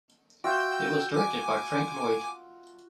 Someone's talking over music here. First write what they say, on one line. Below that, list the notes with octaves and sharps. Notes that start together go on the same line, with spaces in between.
It was directed by Frank Lloyd.
F4 F#4 E5 G5 E6 G6
G#5 D6